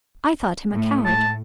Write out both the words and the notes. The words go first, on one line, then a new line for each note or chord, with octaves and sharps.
I thought him a coward.
A2
A5